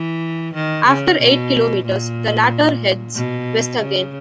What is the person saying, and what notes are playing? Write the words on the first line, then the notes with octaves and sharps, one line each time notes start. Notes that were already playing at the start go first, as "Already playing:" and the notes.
After eight kilometres, the latter heads west again.
Already playing: E3
D#3
C#3
B2
A#2
B2
C#3